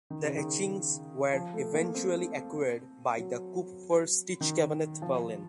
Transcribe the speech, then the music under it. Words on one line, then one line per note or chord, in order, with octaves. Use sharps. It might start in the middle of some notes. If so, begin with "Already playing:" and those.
The etchings were eventually acquired by the Kupferstichkabinett Berlin.
D#3
C#3
D#3
F3
A3
A#3
C4
F#3
D#3
F3